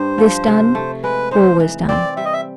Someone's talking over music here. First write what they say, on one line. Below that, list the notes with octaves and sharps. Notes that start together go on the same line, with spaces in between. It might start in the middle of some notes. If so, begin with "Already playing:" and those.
This done, all was done.
Already playing: G2 C5
F3
C3
A3
G#3 B4
D#4 C5
E3
C4 D5
G3 E5
D#5
E5